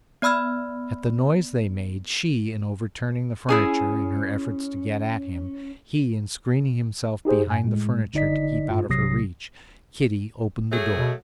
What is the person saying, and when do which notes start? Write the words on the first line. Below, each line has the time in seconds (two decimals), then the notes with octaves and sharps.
At the noise they made, she in overturning the furniture in her efforts to get at him, he in screening himself behind the furniture to keep out of her reach, Kitty opened the door.
0.22 B3 D5 B5 E6 F6 G#6
3.49 C#4 E4 G#4 G#5
7.25 D#4 G4 G#4 C5
7.47 G2 G#5
7.64 A2 G#3
8.14 G1 D3 D#4 D5 D#5 B6
8.70 G2 F4
8.89 B1 C3 F#3 D#6 A#6 C7
10.71 F#3 A3 G#4
10.97 B2